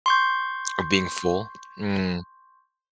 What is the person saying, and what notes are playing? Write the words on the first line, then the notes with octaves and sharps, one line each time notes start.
Oh, being full? Mm.
C6 C#6 G6